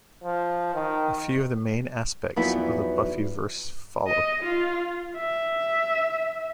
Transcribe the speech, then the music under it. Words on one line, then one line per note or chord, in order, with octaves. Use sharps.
A few of the main aspects of the Buffyverse follow.
F3
D#3
E2 F3 F#3 B3 D#4 E4
D#5
F4
E5